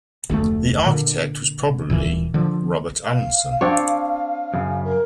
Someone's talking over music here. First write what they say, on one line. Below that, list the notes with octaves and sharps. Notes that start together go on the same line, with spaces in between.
The architect was probably Robert Allanson.
F1 D2 A2 A3
A#2 D3
D#1 A#2 E3
D3 F3
F5
C4 D4 C#5
F#2 C#3
A#4